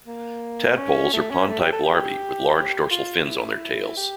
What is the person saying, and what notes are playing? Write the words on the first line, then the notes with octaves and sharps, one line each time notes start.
Tadpoles are pond type larvae with large dorsal fins on their tails.
A#3
C#4
A3
C#4
A3
G4
A4
G4
G4
F4
E4
G4